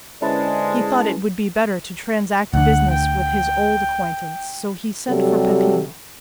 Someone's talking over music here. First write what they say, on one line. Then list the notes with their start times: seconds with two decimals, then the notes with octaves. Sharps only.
He thought it would be better to transact business with his old acquaintance, so he sent for Peppino.
0.22 D3 G#3 C#4 E4 B4 C5 D5 A5
2.54 D2 D3 F#5
2.92 G5
5.09 C3 F#3 G3 A4